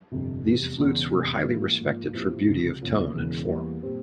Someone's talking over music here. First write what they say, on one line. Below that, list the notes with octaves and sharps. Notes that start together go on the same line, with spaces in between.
These flutes were highly respected for beauty of tone and form.
G1 F2 C3
F1 E2 C3 G3
E1 E2 C#3
E1 E2 C3
G#2 E3 G3 A#3 E4
G#2 F3 A#3 F4
A#2 F3 C4 E4 G4
C#2 C3 F3
E2 C#3 F3 A#3 C#4
E1 E2 C#3 E3
E2 E3 G3 A#3
A#2 G3 C4 G4